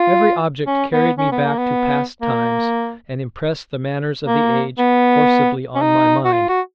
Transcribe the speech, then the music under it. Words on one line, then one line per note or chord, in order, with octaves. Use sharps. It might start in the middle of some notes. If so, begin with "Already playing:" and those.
Every object carried me back to past times, and impressed the manners of the age forcibly on my mind.
Already playing: F4
C#4
B3
C#4
B3
A#3
B3
A#3
A#3
B3
C#4
D#4
F#4
F4
F#4